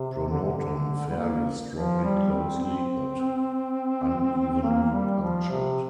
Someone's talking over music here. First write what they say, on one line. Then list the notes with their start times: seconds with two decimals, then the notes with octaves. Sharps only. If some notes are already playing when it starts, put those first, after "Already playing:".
Pronotum fairly strongly closely but unevenly punctured.
Already playing: C3
0.30 D3
0.44 C3
0.58 D3
1.10 G3
1.16 A#3
1.75 F3
2.04 G3
2.32 C4
2.61 C4
4.64 A#3
4.92 G3
5.21 F3
5.50 C3